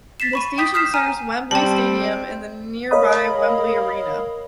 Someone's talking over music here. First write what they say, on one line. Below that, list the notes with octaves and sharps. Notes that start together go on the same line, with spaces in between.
The station serves Wembley Stadium and the nearby Wembley Arena.
A6 B6 C7 E7
B5 C#6 D#7
G5 D6 D#6 G6 B6
D#6 F6 G6 B6 C7 E7
G#5 A#5 F6
G3 C4 G5 A5
A#4 C#5 D#5 F5 B5 D#6